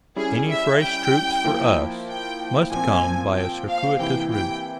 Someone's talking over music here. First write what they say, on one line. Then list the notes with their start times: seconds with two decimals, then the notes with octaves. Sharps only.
Any fresh troops for us must come by a circuitous route.
0.16 G3 C#4 E4 G#4
0.49 E5
0.80 G5
1.44 F3 A#3 E4
2.08 G5
2.71 A#2 F3 C4 G#5
3.35 G5
3.67 F5
3.99 C3 E3 A#3 E4 G5
4.31 G5